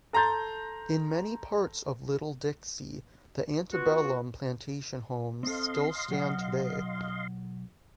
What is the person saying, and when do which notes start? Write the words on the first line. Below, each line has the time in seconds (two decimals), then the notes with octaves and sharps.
In many parts of Little Dixie, the antebellum plantation homes still stand today.
0.13 A4 A#5 C6 G6 A6
3.73 B3 F4 F#4
5.43 C4 A4 D#5 F5 C6
6.08 B1 F#3 F#5